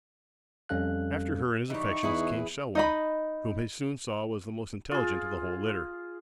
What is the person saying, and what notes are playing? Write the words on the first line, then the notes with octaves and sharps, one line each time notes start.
After her in his affections came Selwyn, whom he soon saw was the most intelligent of the whole litter.
F2 G3 C#4 A4 F5 F#6
E3 G3 D#4 C#6
E2 E4 G#4 B4
D#4 D#5 B5
F4 G#4